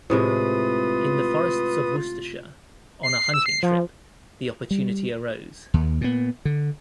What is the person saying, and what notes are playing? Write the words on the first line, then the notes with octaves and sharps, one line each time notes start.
In the Forests of Worcestershire, on a hunting trip, the opportunity arose.
A2 C3 G#3 F4 B4 D#6
C7
C7
E6
C7
F3
G3
D#2
A#2 B3
D3